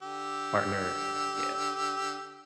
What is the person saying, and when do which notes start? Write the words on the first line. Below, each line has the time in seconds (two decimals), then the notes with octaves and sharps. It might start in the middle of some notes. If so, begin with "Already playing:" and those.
partner, yeah.
0.02 D3 G4 E6